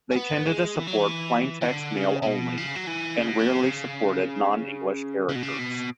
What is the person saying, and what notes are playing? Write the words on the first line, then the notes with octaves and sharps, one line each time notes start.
They tended to support plain text mail only, and rarely supported non-English characters.
C#4
B3
G#3
E3
F#3
E3
E3
D3
C#3
C#3
B2
C#3
F#3
E3
C#3
B2
C#3
C#3
B2
C#3
B2